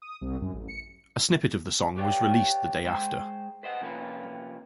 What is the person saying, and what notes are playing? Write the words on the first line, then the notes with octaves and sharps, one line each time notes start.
A snippet of the song was released the day after.
D#6
C2
F#2
A1
C#7
G4 B4 C#5 D5 F5 G5
G#3 C5 G5
B4 C5 D#5 F#5
C3 F3 A#3 C#4 F4 B4